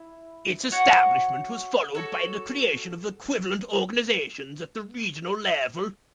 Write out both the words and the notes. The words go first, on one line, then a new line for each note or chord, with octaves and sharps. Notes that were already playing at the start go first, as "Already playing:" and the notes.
Its establishment was followed by the creation of equivalent organisations at the regional level.
Already playing: E4
F#4 C#5 F#5
F#4 A4 C#5